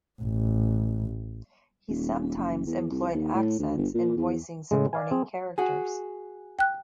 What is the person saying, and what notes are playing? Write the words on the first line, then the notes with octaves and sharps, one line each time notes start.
He sometimes employed accents in voicing supporting characters.
A1
D#1
F#1
E2
C2
D#2
A2
D2
G1
A#2
E2
A2 C#3 G#3
D5 F5 G#5
C4 G#4
F#4 G#4
G5 F#6